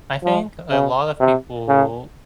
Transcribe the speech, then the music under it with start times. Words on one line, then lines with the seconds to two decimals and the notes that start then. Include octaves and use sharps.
I think a lot of people
0.24 F3
0.71 C#3
1.20 C3
1.68 C#3